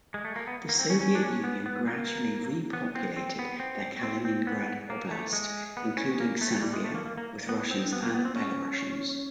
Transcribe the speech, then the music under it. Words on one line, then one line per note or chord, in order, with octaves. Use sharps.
The Soviet Union gradually repopulated the Kaliningrad Oblast, including Sambia, with Russians and Belarusians.
G#3
A3
A#3
B3
A#3
C4
C#4
C#4
D4
C#4
B3
B3
A#3
B3
C4
C4
B3
C4
C4
C4
B3
A#3
A3
G#3
B3
C#4
A#3
A3
G3
G#3
A3
A#3
A#3
A#3
B3
C4
B3
A#3
B3
C4
C#4